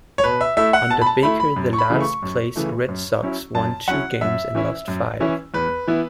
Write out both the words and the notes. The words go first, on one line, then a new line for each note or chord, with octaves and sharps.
Under Baker, the last-place Red Sox won two games and lost five.
C#5
B2 B4
E5
A3 E4 E5
F#5
B2 A5
B5
A5
A3 E4 B5
B5
F#2
C#6
B5
C#3 E3 A3
C#6
F#2
C#3 E3 A3
F#2
F#3 C#4 E4
F#2 A5
F#3 C#4 E4 F#5
F#2 E5
E3 C#4 E4
F#2
E3 C#4 E4
E2 B4
E3 B3 E4